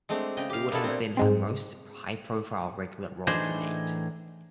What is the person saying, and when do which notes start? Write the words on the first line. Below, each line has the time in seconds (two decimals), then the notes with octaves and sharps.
It would have been her most high-profile regular role to date.
0.09 G#3 A3 C4 D4
0.37 C#3 D#5 G5
0.50 G4 F5
0.71 A#3 B3 D4 E4 F4 A4
0.84 A#2 C4
1.17 G#2 G#3 C4
3.27 A2 E3 D4 D#4 G#4 C5